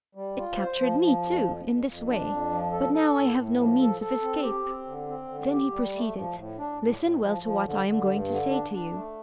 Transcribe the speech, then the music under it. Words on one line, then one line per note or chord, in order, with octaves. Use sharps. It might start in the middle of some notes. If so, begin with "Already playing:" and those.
It captured me, too, in this way, but now I have no means of escape." Then he proceeded: "Listen well to what I am going to say to you.
G3
F4
C5
F3
F3
F2
F2
F2
F2
D4
F2
F3
A4
A4
A2
A2
F3
A4
A4
C4
G4
C4
D3
C4
D3
G4
G3
A3
F3
A2
D4
A2
A2
F3
F3
D3
D3
G2
D3
D4
D4
A3